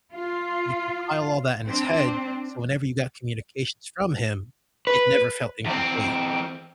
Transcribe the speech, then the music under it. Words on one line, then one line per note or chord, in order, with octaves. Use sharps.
he'd compile all that in his head, so whenever you got communications from him, it never felt incomplete.
F4
C4 D4
B4
E2 C4